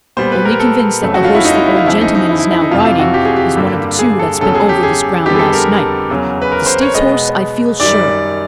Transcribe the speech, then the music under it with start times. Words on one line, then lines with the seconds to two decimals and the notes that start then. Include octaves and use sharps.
Only convinced that the horse the old gentleman is now riding is one of the two that's been over this ground last night--the States horse I feel sure.
0.17 A#2 G3 B3 C5
0.32 B4
0.45 A#4
0.60 A4
1.02 F2 C#3 F#3 A3
1.14 F#4
1.24 F4
1.35 E4
1.45 D#4
1.55 E4
1.66 E4
1.76 F4
1.86 E2 C#3 F3 E4
2.01 D#4
2.15 D#4
2.29 E4
2.39 E4
2.51 E4
2.61 D#4
2.71 F2 C3 E3 F4
2.85 F4
2.99 F#4
3.14 G4
3.25 G#4
3.36 G4
3.56 G2 D3 G3 A#3
3.99 G#4
4.19 A4
4.41 E2 C#3 F#3 A4
4.55 G#4
4.69 G4
4.83 G#4
5.26 F2 D3 G3 B3 G4
5.35 G#4
5.39 A4
5.53 A#4
6.10 E2 C#3 F#3
6.42 B4
6.52 A#4
6.66 C5
6.81 C#5
6.94 B2 G#3 B3 D#5
7.80 F#2 D#3 G3 D5